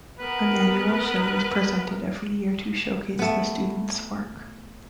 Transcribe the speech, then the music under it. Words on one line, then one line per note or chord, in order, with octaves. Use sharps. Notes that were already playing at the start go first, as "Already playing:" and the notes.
An annual show is presented every year to showcase the students' work.
B3 A#4 B4
A3 B3